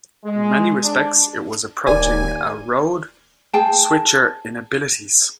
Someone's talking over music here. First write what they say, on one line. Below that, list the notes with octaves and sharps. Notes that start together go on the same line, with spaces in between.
In many respects it was approaching a road switcher in abilities.
G#3
D4
D1 D#2 D5 G#5
G#4 G5 A5